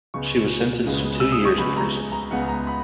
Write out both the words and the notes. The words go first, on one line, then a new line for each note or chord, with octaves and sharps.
She was sentenced to two years in prison.
C#2 C#3 G#3 B3 C#6
C#2 C#3 G#3 B3
E6
D#6
C#6
C#2 C#3 G#3 B3 B5
A#5
A#5
C#2 C#3 G#3 B3 F#5
A#5
B5